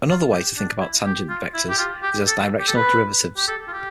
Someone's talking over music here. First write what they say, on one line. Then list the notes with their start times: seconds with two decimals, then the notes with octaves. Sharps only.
Another way to think about tangent vectors is as directional derivatives.
0.09 F4
0.32 G4
0.57 D4
0.81 E4
1.05 G4
1.29 F4
1.54 E4
1.69 G4
1.78 F4
2.03 G4
2.27 A4
2.59 G4
2.68 A4
2.76 B4
3.37 G4
3.48 A4
3.68 F4
3.73 G4